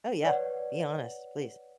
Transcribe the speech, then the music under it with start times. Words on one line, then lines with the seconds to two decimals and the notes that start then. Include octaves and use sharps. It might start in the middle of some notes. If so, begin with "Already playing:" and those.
Oh, yeah. Be honest, please.
0.23 B4 C#5 D5 F#5